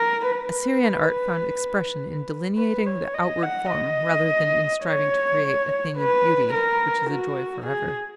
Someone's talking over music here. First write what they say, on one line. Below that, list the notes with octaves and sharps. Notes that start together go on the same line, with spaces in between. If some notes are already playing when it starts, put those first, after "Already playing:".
Assyrian art found expression in delineating the outward form rather than in striving to create a "thing of beauty" which is "a joy for ever".
Already playing: A#4
B4
B4
C#5
D#5
F#5
D#5
C#5
B4
A#4
F#4
G#4